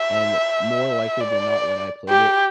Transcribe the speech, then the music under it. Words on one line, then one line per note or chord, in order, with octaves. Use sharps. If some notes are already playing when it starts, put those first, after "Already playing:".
and more likely than not when I played it,
Already playing: E5
D5
G4